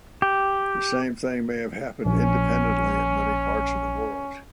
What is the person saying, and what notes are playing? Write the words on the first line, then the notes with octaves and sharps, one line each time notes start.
The same thing may have happened independently in many parts of the world.
G4
A#1 C#4